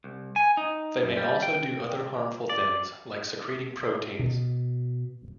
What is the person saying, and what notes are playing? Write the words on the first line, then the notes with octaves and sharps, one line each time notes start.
They may also do other harmful things, like secreting proteins.
C2
G#5
D#4
F#2
G3
G5
D5
B2